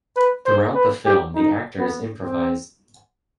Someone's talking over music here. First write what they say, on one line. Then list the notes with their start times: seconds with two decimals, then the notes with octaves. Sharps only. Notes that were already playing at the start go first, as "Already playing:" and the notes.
Throughout the film the actors improvised.
0.16 B4
0.46 C5
0.75 B4
1.06 G4
1.35 D#4
1.79 B3
2.23 C4